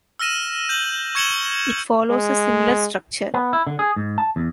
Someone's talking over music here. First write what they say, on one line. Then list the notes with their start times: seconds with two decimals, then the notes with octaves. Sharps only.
It follows a similar structure.
0.19 E6 F6 A#6 D#7 E7
0.69 G6 F#7
1.15 C#6 G#6 C#7 E7 F#7 G7
2.10 G#3
3.34 B3
3.53 E4
3.67 D3
3.79 G#4
3.96 G#2
4.18 A5
4.36 E2